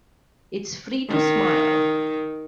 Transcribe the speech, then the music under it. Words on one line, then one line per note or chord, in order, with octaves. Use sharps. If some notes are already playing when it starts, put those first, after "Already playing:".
It's free to smile.
D#3